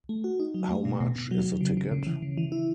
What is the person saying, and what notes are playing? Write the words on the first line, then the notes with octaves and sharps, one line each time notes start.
How much is the ticket?
A3
F#4
D#4
F#3
A3
B2
B2
B2
F#3
F#3
C#3
C#3
C#3
E3
C#3
E3
E4